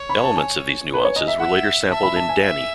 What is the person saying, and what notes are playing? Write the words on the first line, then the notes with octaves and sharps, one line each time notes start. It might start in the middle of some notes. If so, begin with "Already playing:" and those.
Elements of these nuances were later sampled in Danny!
Already playing: C#5
B5
A5
G#5
B4
C#5
D#5
E5
E5 F#5
E5 A5
B5
A5
G#5
E5